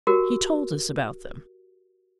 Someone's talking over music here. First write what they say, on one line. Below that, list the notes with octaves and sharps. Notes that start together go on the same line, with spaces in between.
"He told us about them."
F#4 G4 A#4